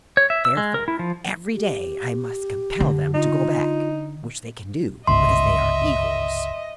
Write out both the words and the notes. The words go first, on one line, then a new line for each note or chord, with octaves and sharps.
Therefore every day I must compel them to go back, which they can do, because they are eagles.
C#5
E5
E6
G#3
A#4
E4
F3
G4
D3
D#4 F4
G1 C#2 G#2 D#5 E5 C6